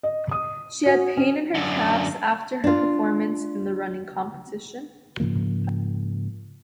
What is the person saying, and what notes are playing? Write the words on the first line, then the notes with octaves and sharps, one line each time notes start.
She had pain in her calves after her performance in the running competition.
D#5
D#6
F#4
C#4
F#2 D3
D4 F4
G#2 C#3 F3 A#3